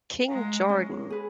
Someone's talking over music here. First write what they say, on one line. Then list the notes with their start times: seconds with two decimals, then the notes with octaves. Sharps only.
King Jordan.
0.28 G#3 F5 A#5
0.69 C#4
1.10 G#4 B4